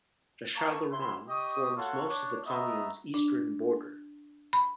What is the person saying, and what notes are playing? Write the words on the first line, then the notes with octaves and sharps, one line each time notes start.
The Chalaronne forms most of the commune's eastern border.
A#3 A5 A#5 C#6
E4 C6
G4 D#5 C#6 D#6
F4 F#4 A4 C#5 F#5
D4 C#5
A3 B3 D#5 E5 A#5
D4
B5